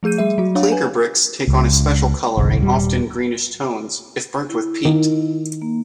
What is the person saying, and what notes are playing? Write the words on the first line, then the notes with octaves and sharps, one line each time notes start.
Clinker bricks take on a special colouring, often greenish tones, if burnt with peat.
F3 A3 G#4 G6 D#7
G3 G#4 E5 D#7
F#3 F#4
D4 C#5 F5 F#5
B4 G#5
C#2
G1 C2
D#1 G3
E4
D#3
A#3